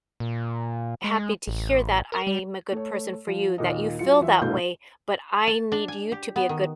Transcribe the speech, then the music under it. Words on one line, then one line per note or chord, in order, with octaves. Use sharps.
happy to hear that I'm a good person for you, that you feel that way, but I need you to be a good
A#2
G#3
A1
A#4
G3
A3 C#5
F3
D#2 A#2 D#5
F#3 F4 C#7
E2 F4 E5
C2 G2 B2 A3 F5 G6
A5
D4
G#5
G4
B3
D#3